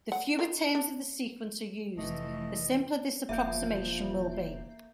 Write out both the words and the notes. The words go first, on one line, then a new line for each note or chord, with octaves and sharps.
The fewer terms of the sequence are used, the simpler this approximation will be.
F#5
D#3 A#4
D4
F1 E3 A3 D#5
E1 F3 A#3 A4 E5 F5 G6